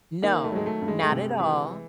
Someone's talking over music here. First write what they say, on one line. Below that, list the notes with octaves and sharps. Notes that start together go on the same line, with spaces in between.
No, not at all.
D#3 A#3
A3
F#3 G#3
A3
G2
G#3
A3
C3 G#3
E3